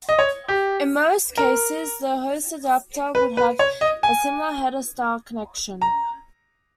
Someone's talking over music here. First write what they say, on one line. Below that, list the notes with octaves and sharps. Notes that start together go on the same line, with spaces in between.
In most cases, the host adapter would have a similar header-style connection.
D#5
C#5
G4
A#4
B4
B4
C#5
D#5
G#5
A#5